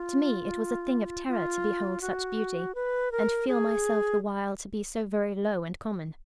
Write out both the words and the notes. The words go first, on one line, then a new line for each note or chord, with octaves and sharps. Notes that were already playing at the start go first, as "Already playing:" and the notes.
To me it was a thing of terror to behold such beauty, and feel myself the while to be so very low and common.
Already playing: F4
F4
F#4
B4
A#4
G#4